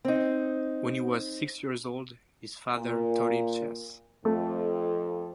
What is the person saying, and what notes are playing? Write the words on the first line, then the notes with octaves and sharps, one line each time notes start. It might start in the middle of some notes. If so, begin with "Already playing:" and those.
When he was six years old, his father taught him chess.
C4 D#4
A#2
F2 A3